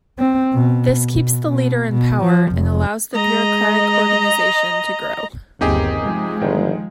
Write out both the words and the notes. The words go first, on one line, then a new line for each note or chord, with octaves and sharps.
This keeps the leader in power, and allows the bureaucratic organization to grow.
C4
B2
B2
B2
B2
F3
F1
G#3 D#5 A#5
G1 D#2 C3 C4 D#4 G4 G#4 D#5
F3 G#3
G1 D#3